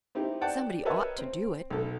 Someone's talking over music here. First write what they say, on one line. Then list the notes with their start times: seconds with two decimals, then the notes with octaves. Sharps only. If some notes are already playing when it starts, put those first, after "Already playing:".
Somebody ought to do it.
0.15 C4 D#4 E4 G4
0.41 D5 F#5 G5 A5
0.85 A#4 B4 C#5 D#5 E5 A5
1.18 C4
1.70 B1 A4